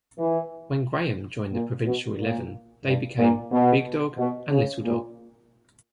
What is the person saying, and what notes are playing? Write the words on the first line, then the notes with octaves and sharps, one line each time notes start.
When Graeme joined the provincial eleven they became "Big Dog" and "Little Dog".
E3
A#2
B2
A#2
G2
A#2
B2
B2
C#3
A#2